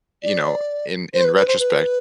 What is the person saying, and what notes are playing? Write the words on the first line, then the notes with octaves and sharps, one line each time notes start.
you know, in in retrospect,
D5
C5
B4
B4
C5
B4